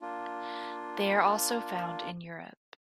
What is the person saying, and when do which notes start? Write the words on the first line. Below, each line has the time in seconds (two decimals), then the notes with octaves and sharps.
They are also found in Europe.
0.01 A#3 D4 F4